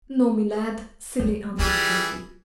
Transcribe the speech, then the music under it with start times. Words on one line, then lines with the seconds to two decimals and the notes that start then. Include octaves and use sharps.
"No, me lad," Cilley answered gravely.
1.19 F#3 A3
1.59 E3 G3 F4 G#4